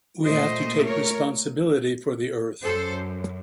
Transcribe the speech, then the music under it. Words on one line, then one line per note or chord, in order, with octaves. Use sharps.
We have to take responsibility for the earth.
A#2 A3 C5 D#5
A#4 C#5
F#2 A4 C5